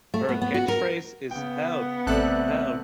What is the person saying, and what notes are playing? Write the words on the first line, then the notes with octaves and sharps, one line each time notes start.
Her catchphrase is Help, help!
A3
B3
B3
F#4
A#4
C#3 B3 G5
A1 C3 A3 A4 D5 F#6